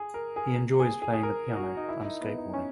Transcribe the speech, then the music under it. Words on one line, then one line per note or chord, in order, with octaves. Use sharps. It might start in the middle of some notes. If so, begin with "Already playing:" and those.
He enjoys playing the piano and skate boarding.
Already playing: G#4
A#4
G#4
G#4
G#4
G#4
A#4
F#4
D#4
E4
D#4
B3
D#4
C#4